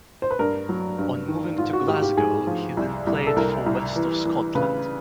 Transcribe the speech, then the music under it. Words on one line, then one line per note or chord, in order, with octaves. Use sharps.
On moving to Glasgow he then played for West of Scotland.
C5
B4
G2 A#4
F#3
G2
D#3
G#2 F4
F#4
G#2 G4
G4
G#2 G#4
F3
C2
C2
A4
C2 A#4
C2
E3
E3
C#3 B4